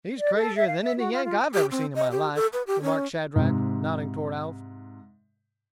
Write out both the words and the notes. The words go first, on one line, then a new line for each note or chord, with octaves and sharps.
"He's crazier than any Yank I've ever seen in my life," remarked Shadrack, nodding toward Alf.
D5
A4
E5
F5
E5
F#4
F4
F4
G4
C4
D#5
G4
A4
B4
G4
C#4
G#2 C3